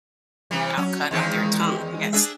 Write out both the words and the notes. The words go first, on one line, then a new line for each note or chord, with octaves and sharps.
"I'll cut out their tongue." Yes.
C3 E3 G3
F#3 C#4
E2 D#3 G#3 C4
D4 G#4 E5